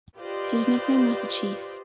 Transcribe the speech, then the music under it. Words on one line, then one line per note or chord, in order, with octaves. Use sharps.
His nickname was "the Chief".
F4 G4 B4 C5 D5 D#5